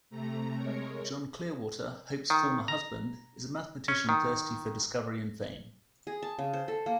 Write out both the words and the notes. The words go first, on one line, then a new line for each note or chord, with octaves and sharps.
John Clearwater, Hope's former husband, is a mathematician thirsty for discovery and fame.
C3 A3 A#5
G#3 A#4 C#5
D#3
A#5
C#4
D#3
G#4
A5
C#3
C5
A4
A#3